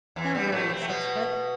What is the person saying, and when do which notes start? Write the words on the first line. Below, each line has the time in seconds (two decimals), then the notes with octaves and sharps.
No hurry, six-foot.
0.16 E2 E3
0.35 G2 G3
0.52 A2 A3
0.70 C3 C4
0.82 A3
0.88 B2 B3